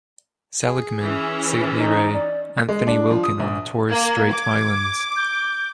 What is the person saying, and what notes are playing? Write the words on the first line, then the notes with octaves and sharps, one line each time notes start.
Seligman, Sidney Ray, Anthony Wilkin on the Torres Strait Islands.
G#4
E3 C#4
D#4
D5
G#3
D4
F3
D#6
A#1
A#3 G#6
D6
G6